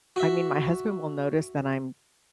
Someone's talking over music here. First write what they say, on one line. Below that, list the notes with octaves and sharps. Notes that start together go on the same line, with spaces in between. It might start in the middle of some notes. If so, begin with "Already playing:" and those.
I mean, my husband will notice that I'm
F#4 E5